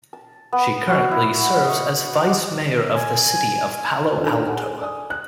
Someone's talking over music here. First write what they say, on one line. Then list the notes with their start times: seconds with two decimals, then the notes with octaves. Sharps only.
She currently serves as Vice Mayor of the City of Palo Alto.
0.13 A5
0.53 B3
0.89 F#4
1.11 E4
1.65 D#5 C#6
2.25 F#5 D6
2.95 G#5
4.18 D4 D#4 F4 A4 B4 C5
4.47 G#4 A#4 F#5 G#5 A5
4.62 A4
4.81 D5 G#5 D#6
5.10 F#6